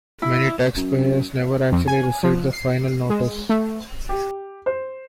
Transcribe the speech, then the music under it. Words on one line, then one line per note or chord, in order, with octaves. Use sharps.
Many taxpayers never actually receive the final notice.
E4
F#2
F2
G#5
F3
C7
G#3
A3
G4
C5